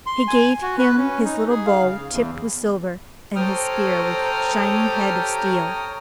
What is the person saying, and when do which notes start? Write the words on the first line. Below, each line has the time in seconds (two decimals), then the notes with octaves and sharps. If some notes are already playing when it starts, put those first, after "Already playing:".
He gave him his little bow tipped with silver, and his spear with shining head of steel.
0.06 C6
0.28 G#5
0.62 F#4
0.78 B4
0.97 C#4
1.25 D#4
1.49 G#4
1.66 F5
1.83 C#3
2.11 E2
3.36 G4 A4 C5 C#5 G5 A#5 D#6 F6